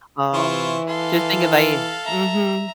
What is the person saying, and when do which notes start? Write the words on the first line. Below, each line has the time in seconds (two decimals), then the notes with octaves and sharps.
um, just thinking, like Mhm,
0.34 E3 E4 F4 C5 C#6
0.88 A4 F5 C6
2.02 E5 A#5